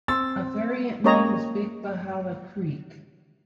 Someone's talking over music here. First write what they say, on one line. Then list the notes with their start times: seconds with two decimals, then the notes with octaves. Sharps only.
A variant name is "Big Bahala Creek".
0.08 C4 C6 E6 A6
1.04 A#3 C#4 G4 C#5 D#5 A#5